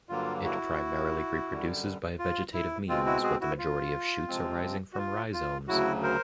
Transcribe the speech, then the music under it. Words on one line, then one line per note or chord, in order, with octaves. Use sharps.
It primarily reproduces by vegetative means, with the majority of shoots arising from rhizomes.
G2 D3 F#3 A#3 F4
E4 F#4
F#2 D3 G3
F4
E4
B2 G#3 C4 F4
E4 F#4
F#4 G#4
E4 F#4
F4
C3 F3 G#3 C4
F#4
F4
F4
D2 C#3 F#3 E4 F#4
A#4 C5